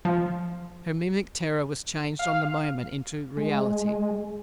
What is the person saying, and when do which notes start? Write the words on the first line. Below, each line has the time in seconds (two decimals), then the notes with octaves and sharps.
Her mimic terror was changed on the moment into reality.
0.05 F3
2.19 F5
3.37 G#3